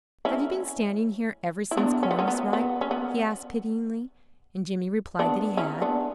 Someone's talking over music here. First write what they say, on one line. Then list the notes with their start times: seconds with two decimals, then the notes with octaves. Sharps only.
"Have you been standing here ever since corn was ripe?" he asked pityingly, and Jimmy replied that he had.
0.25 C#4 E4
1.71 E4
1.77 B3 D4
2.03 C#4
2.11 B3
2.19 A3 C#4
2.28 B3
2.53 B3
2.81 C#4
2.91 B3
5.19 B3 D4
5.57 C#4 E4
5.82 B3 D4